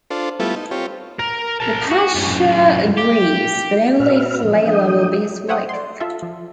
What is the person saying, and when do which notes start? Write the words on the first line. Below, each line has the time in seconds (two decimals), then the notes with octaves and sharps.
The pasha agrees, but only if Leila will be his wife.
0.10 D4 F4 A4 C5
0.40 G3 A3 B3 E4 F4 A4
0.56 D#4
0.71 C4 F4 G4 C#5
1.20 A#4
1.60 A#4 A5
1.91 F#4
2.15 F#2 A2
2.98 G4
4.00 A#2 F#4 B4 E5 F6
4.44 F3
4.66 F3 D4 G5 D#6
5.49 C5 C#5 E5 F#5 G5 D#6
5.69 D5 C6
6.00 F4 A4 E5
6.23 F3